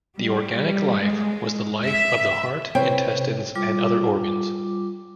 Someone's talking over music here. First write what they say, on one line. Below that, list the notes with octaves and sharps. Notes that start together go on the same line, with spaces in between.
The organic life was the life of the heart, intestines, and other organs.
G3
G#3
E5
C3 C4 C#4 E4 B4 C#5 G5
G3 F4 D6